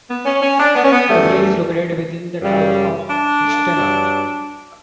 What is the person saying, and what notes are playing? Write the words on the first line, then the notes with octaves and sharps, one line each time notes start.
The village is located within the Town of Hixton.
B3
C#4
C#4
D4
B3
C#4
B3
F#2 E3 G3 A3
F#2 C#3 G3
D4
G2 F#3